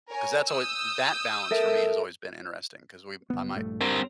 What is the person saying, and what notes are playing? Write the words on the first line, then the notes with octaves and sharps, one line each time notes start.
'Cause that's alway th that balance for me, has always been interesting, 'cause we I might
A#4 C#5 G#5
D#6 E6 G6
A4 A#4 E5
F#1 B3
A#1 G2 A3
G2 C4 A#4